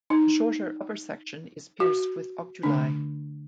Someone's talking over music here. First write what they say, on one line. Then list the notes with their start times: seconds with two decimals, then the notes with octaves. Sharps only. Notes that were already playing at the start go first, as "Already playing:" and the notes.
The shorter upper section is pierced with oculi.
0.10 D#4
1.80 F#4
2.63 D3 A3 D4